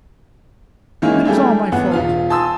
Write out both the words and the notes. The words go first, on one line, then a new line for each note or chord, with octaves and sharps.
It is all my fault.
D#3 E3 G#3 A#3 C#4 E4
G3 A3 D4 E4 G4 G#4
A1 B3 F#5
E1 F4 F5
G#5 A5 C6 D#6 E6